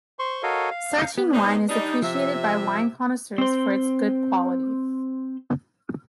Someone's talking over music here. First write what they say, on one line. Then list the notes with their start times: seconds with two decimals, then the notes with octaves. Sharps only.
Sartene wine is appreciated by wine connoisseurs for its good quality.
0.19 C5 C6 C#6
0.43 F#4 A4 A#4 C#5 D#5 F5
0.70 F5
1.18 B3
1.32 C3 D4 D#4
1.69 G3 D4 D#4
2.02 C3 F3 E5
3.38 C4 C5